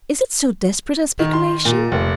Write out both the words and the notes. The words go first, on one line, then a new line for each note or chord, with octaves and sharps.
Is it so desperate a speculation?
D#3
C6
A#2
F1